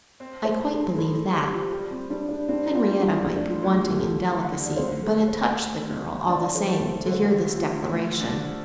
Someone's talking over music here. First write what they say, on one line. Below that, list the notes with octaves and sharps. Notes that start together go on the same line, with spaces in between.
"I quite believe that." Henrietta might be wanting in delicacy, but it touched the girl, all the same, to hear this declaration.
C4
C5
A2
A4
A2 A4
A4
G3 G4
F4
G3 G4
C4
G3 D4
D4
C4 D4
F4
G3
D4
D2 D4
F4
D2
G4
D2 A4
D3
D5
D2 C5
A4
D2
C5
D2
D2
D4 D5
C5
A3
C5
D3 A4
C5
A4
G4
D2
F4
D2
D4